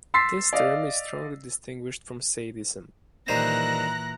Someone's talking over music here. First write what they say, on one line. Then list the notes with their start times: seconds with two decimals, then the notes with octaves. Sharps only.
This term is strongly distinguished from sadism.
0.14 C6 E6 A6 B6 C7
0.53 D5 D#5 F5
3.28 A#2 D#3 E3 G3 C5 A#5 F#6 A#6